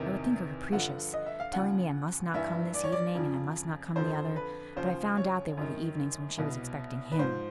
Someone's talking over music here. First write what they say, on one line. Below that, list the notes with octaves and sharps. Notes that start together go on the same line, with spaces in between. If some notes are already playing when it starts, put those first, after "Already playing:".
I would think her capricious--telling me I must not come this evening, and I must not come the other; but I found out they were the evenings when she was expecting him.
Already playing: E2 C3 D#3
G2 D3 F3 F#5
D#5
E5
F5
D#2 C#3 F3 F#5
G2 E3 E5
D5
C#5
D5
F2 C#3 F3
F2 D3 F3 C5
B4
D#2 C#3 F3 C5
C#5
F#2 D#3
C2 B2
B4
G#2 F3 C5